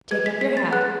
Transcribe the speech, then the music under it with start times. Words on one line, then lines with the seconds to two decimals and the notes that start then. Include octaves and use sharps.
Take off your hat.
0.11 G#4 B4 D#5 G#6
0.26 B6
0.41 B6
0.57 A6
0.71 G#4 B4 F#5 F#6